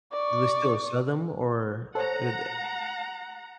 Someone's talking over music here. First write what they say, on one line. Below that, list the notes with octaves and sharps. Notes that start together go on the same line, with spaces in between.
Do they still sell them, or i d
D5 C#6
A4 C5 C#5 F#5 A#5